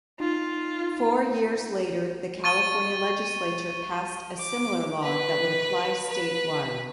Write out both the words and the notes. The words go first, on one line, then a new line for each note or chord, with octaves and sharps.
Four years later, the California legislature passed a similar law that would apply statewide.
D#4 F4
C#6 A6 D#7 G7
D6
B4
B4